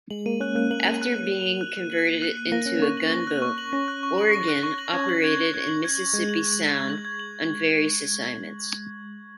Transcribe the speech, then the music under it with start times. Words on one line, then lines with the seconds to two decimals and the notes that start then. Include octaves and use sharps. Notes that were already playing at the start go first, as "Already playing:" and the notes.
After being converted into a gunboat, "Oregon" operated in Mississippi Sound on various assignments.
0.10 G#3 F#7
0.26 A#3 D#7
0.40 C#4 F#6
0.55 A#3 F#6
0.71 A#3 F#7
0.86 D#7
1.02 F#6
1.16 F#6
1.31 F#7
1.46 D#7
1.61 F#6
1.77 F#6
1.92 F#7
2.07 D#7
2.22 F#6
2.37 F#6
2.52 A#3 A#6
2.66 C#4 F#6
2.80 A#3 C#6
2.97 F#7
3.12 A#6
3.27 F#6
3.42 C#6
3.58 F#7
3.73 C#4 A#6
3.88 F#6
4.03 C#6
4.18 F#7
4.33 A#6
4.48 F#6
4.63 C#6
4.78 F#7
4.93 C#4 G#6
5.09 F#7
5.24 G#6
5.39 F#7
5.54 G#6
5.68 F#7
5.84 G#6
5.99 F#7
6.14 G#3 G#6
6.29 F#7
6.44 G#6
6.59 F#7
6.75 G#6
6.90 F#7
7.05 G#6
7.19 F#7